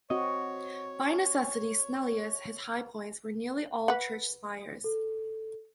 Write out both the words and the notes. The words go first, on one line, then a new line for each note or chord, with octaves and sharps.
By necessity Snellius his high points were nearly all church spires.
C4 F#4 C#5 D#5
B4 F#5
A4